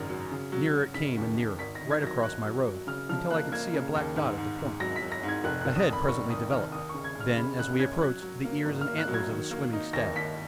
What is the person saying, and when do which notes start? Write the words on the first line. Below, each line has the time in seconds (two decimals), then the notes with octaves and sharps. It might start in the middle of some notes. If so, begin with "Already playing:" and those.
Nearer it came and nearer, right across my road, until I could see a black dot at the point, a head presently developed, then as we approached the ears and antlers of a swimming stag.
Already playing: G#1 F#2 C#3
0.09 F#3
0.31 C#3
0.52 F#3
0.74 F#3
0.94 C#3 B6
1.17 D#2
1.37 D#2
1.59 G#1 B6
1.75 A#6
1.81 D#3
1.91 G#6
2.02 F#3 A#6
2.23 F#3 F#6
2.44 F#3
2.66 F#3
2.87 C#3 F6
3.09 F3 F6
3.30 A#3 F#6
3.52 A#3 G#6
3.74 C#3
3.95 D#2
4.16 G#2
4.38 G#2
4.59 G#2
4.80 F#3 A#6
4.96 B6
5.02 F#3
5.12 A#6
5.23 G#2
5.28 G#6
5.44 F1 F#6
5.61 F1 F#6
5.76 D#6
5.87 D#2
5.93 B5
6.08 F1 C#6
6.29 D#2 D#6
6.51 D#2 F6
6.72 D#2 D#6
6.89 C#3 C#6
7.04 G#6
7.15 G#3
7.20 F6
7.36 C#3 B5
7.59 C#3 F#6
7.79 C#4 G#6
8.01 F#3 F#6
8.22 F#3
8.45 A#3
8.66 G#1
8.81 A#3 F6
8.98 F#6
9.08 F#3
9.14 G#6
9.29 D#3
9.51 A#3
9.73 D#4
9.93 D#2 A#6
10.16 D#2 B6